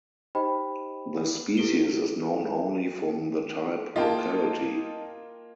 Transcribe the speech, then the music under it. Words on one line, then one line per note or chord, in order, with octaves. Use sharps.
The species is known only from the type locality.
D#4 G4 C5 D#5 G5 B5
E4 G4 A4 B4 D7 G7
A#3 F4 D#5 G5 A5